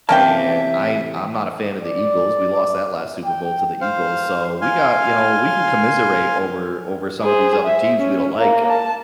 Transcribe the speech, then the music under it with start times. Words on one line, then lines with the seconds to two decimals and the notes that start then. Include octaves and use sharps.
and I I'm not a fan of the Eagles, we lost that last Super Bowl to the Eagles, so we got you know, we can commiserate over over some of these other teams we don't like.
0.09 C3 E3 A#3 C#4 E5 G5 A5
1.81 D5
3.25 G5
3.81 C5 F5
4.62 F5 G#5 C6 F6
7.23 G#4 C5
7.64 E5
7.99 C#4
8.38 A#3
8.69 A5